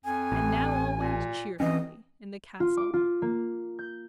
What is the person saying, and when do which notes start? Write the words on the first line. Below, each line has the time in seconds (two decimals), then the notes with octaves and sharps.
And now all went cheerfully in the castle.
0.05 F2 G#5
0.32 A1
0.96 A#2
1.60 E3 C4 C#4 D#5
2.60 F4
2.77 D6
2.94 F4
3.22 A#3
3.79 G6